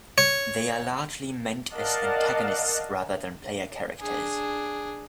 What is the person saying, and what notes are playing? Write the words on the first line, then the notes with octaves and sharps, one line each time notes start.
They are largely meant as antagonists rather than player characters.
C#5
A#4 D5 D#5 F5 F#5 A5
D4 G#4